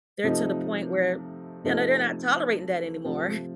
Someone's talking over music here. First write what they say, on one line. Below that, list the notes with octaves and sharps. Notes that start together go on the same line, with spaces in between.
they're to the point where, you know, they're not tolerating that anymore.
C3 F3 A3 D#4
C3 F3 A3 D#4
C3 F3 A3